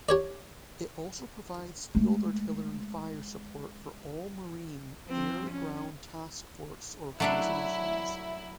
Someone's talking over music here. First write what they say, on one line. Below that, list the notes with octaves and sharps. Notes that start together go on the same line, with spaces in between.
It also provides field artillery fire support for all Marine Air-Ground Task Force organizations.
G4 C#5 D5
G#3 A3
F3 C4
C#4
F#3 A3 D4 E4 E5